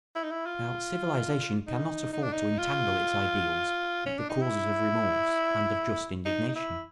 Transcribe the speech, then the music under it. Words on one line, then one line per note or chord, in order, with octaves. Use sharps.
Now civilisation cannot afford to entangle its ideals with the causes of remorse and of just indignation.
E4
D#4
E4
F4
D#4
D#4
D4
D#4
F4
C#4
D4
D#4
E4
D#4
D#4
E4